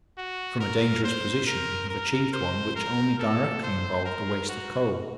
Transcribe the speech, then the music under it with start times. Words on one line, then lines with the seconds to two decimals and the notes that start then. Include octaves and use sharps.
From a dangerous position we have achieved one which only directly involved a waste of coal.
0.18 F#4
0.60 A#4
1.04 C5
1.47 A#4
1.90 A#4
2.33 C5
2.76 A#4
3.19 A4
3.63 C5
4.06 A#4
4.49 F#4